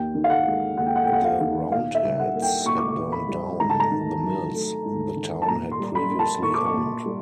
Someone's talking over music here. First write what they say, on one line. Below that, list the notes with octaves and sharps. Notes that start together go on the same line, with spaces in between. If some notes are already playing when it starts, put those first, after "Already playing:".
The Roundheads had burnt down the mills the town had previously owned.
Already playing: D#2 G5
D#3
F5
F#5
G#3
D#2 F#5
G5
F#5
G5
D#2 F#5
F5
D#3
A#2 F5
E5
G3
F#5
A#3
G5
A#2 C#6
D6
C#6
A#2
B5
G3
G#2 A#5
A5
A#5
D#3
F#3
A3
G#2
D#3
A5
A#2 A#5
C6
G3
B5
A#3
A5
A#2 C#6
D6
C#6
A#2
G3